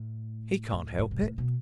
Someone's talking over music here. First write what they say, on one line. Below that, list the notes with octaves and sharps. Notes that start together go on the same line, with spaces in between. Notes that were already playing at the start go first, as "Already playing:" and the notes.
He can't help it.
Already playing: A2
A2
G2
B2
A2
B2